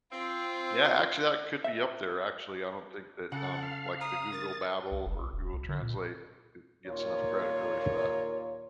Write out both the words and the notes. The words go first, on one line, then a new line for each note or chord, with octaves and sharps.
Yeah, actually, that could be up there, actually, I don't think that, um, like, the Google Babble or Google Translate get gets enough credit, really, for that.
C4 F4
E5
C#3 A4 F#5
F5
A#5 D#6
A#4 A6
C2
F1
A#1
D#1
C2
D3
A#2
D#2 A#2 A#3 F4 A#4 C#5